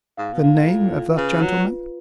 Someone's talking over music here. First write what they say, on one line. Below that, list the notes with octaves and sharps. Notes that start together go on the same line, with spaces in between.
"The name of that gentleman?"
G#2 F5
B2
A2 F5
F4
F4
C#3 B4
F#3 F4
F4